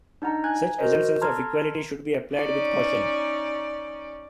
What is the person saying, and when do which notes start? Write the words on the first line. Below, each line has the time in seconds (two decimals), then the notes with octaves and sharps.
Such assumptions of equality should be applied with caution.
0.22 D4 D#4 F#5 A#5
0.44 G#5 F#6 G#6
0.78 F#4 A#4 C5 D#5
1.21 A4 A5 A#5 C6 F6 G#6
2.34 C#4 D#4 D5